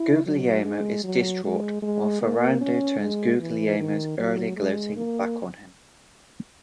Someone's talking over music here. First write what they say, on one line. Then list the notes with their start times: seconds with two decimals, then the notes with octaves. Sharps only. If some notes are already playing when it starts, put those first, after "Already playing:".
Guglielmo is distraught while Ferrando turns Guglielmo's earlier gloating back on him.
Already playing: E4
0.26 F#3
0.65 G#3
1.04 F#3
1.44 G#3
1.82 G#3
2.21 A#3
2.61 C#4
3.00 G#3
3.39 E3
3.78 D#3
4.18 F#3
4.57 G#3
4.96 A#3